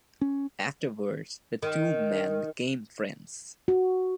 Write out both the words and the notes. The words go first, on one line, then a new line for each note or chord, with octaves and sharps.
Afterwards, the two men became friends.
C#4
D#3
F#4